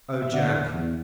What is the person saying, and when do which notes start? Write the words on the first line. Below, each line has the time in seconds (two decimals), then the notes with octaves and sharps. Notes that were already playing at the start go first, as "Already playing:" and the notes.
"Oh, Jack!"
0.22 E5
0.33 D3 D5 F#5
0.53 E2
0.74 E2